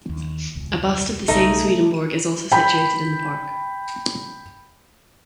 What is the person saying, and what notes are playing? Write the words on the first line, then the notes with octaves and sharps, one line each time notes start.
A bust of the same Swedenborg is also situated in the park.
D#2
E1 C#2
B1 C#3 G3 A3 D#4
G5 B5